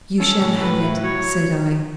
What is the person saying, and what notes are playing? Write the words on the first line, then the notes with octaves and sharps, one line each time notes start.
"You shall have it," said I.
C#4 A4
A2
A2 B4
E4
F#3 C#5